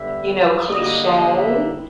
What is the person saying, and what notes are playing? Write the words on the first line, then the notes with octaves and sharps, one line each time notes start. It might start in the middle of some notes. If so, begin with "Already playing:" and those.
you know, cliche,
Already playing: D3 G3 B3 E5
D3 G3 A#3 D#5
D#5
E5